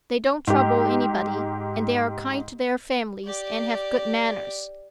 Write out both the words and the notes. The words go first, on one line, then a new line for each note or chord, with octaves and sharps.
"They don't trouble anybody, and they are kind to their families and have good manners."
G#2 G4
G4 D5